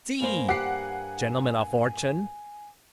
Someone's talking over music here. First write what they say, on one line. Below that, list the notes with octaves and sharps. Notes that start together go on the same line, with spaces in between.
Sea! Gentlemen o' fortune!
G2 A#3 C5 G#5
G4 F#5 C7